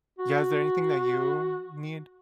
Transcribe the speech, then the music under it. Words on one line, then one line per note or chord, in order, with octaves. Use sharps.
yeah is there anything that you need
F#4